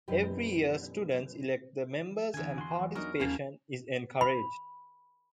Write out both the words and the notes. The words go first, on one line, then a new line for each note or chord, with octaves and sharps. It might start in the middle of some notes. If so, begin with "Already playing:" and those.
Every year students elect the members and participation is encouraged.
F#2 B2 E4 G4 B4
E2 D3 D4 E4 G#5
F#4 C6
E3 F#3
F#3 B3 D4 D#4 A#4 C#6
D#2 F3 G3 A#3 C#4 G#5 A5
B5